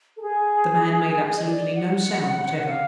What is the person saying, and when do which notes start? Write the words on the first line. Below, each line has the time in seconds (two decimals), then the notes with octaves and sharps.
The man made absolutely no sound whatever.
0.17 A4
0.22 G#4
1.36 D#5
1.45 D5
1.75 F#5
2.67 F5